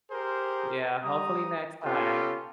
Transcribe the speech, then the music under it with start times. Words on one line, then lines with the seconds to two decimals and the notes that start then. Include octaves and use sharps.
Yeah, hopefully next time.
0.10 G4 G#4 A#4 C5
1.03 G3 A#5 D#6
1.84 B3 C#4 F4 G4 A4